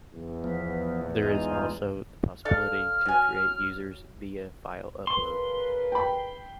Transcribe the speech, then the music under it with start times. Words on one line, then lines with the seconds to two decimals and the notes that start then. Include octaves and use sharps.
There is also the possibility to create users via file upload.
0.13 E2
0.44 F3 B3
1.23 G#3 D#4 F4
2.45 D4 A4 F5 F6
3.05 F#3 G#5
5.07 C#3 A#4 B4 C6
5.92 G5 B5